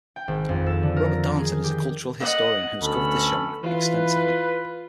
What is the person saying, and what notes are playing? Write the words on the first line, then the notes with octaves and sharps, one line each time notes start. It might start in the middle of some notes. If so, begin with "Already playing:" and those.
Robert Darnton is a cultural historian who has covered this genre extensively.
G5
G#1
F2
A4
D3
A#4
D#3
G#4
G4
D#5 F#5
D2 B3 C#4 A4 B5
E3 F4 B4